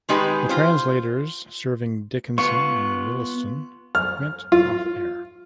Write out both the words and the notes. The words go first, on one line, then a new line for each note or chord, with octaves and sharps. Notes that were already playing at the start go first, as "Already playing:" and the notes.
The translators serving Dickinson and Williston went off-air.
D#3 G#3 D#4 G4 B4
F4 C5
B3 F4 C#6
F6
F4